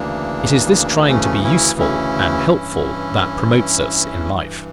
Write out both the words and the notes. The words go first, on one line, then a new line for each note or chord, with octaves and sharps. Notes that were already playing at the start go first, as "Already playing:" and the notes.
It is this trying to be useful and helpful that promotes us in life.
Already playing: D2 C#3 E3 A#3 D4
A3 C#4
C#4 E4
C#4 E4
G2 E3